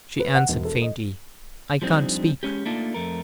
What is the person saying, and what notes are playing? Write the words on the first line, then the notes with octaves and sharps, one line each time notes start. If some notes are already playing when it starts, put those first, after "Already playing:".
She answered faintly: "I can't speak!"
B4
F#5
E1
A4
D#5
F3 G3 C4 D4 D#4
G#3 C#4 G4
A3 A#3 D4 D#4 F4
F2 A3 A#4